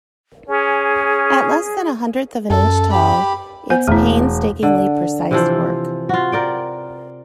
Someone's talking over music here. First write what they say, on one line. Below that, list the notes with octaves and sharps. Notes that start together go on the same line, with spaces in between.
At less than a hundredth of an inch tall, it's painstakingly precise work.
C#4 G#4
F#2 A4
G4 B5
B3 C5 G#5
E1 A3 E4
D3
C3 E3 F3
F4 F#4
A#4 D5 G5